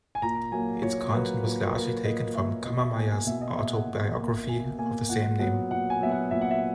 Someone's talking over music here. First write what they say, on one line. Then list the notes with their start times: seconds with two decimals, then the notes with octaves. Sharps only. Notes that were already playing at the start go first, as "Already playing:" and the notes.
Its content was largely taken from Cammermeyer's autobiography of the same name.
0.15 G#5
0.22 A#2 A#5
0.52 F#3 A#3 G#5
0.82 A#2 C#5
1.13 F#3 A#3 B4
1.44 A#2 B4
1.64 A#4
1.74 F#3 A#3 B4
2.05 A#2 D#5
2.35 F#3 A#3 E5
2.65 B2 D#5
2.81 E5
2.96 A#3 G#5
3.11 G#5
3.27 B2 E5
3.41 D#5
3.57 A#3 E5
3.72 F#5
3.88 B2
4.17 A#3
4.48 B2 G#5
4.78 A#3 G#5
5.09 A#2 F#5
5.39 F#3 B3 F#5
5.71 A#2 F#5
5.90 G#5
6.01 F#3 B3 E5
6.11 F#5
6.31 A#2 E5
6.41 F#5
6.51 E5